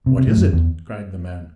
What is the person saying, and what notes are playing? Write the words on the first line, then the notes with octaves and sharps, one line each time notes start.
"What is it?" cried the men.
C3
C3
A2
F#2
E2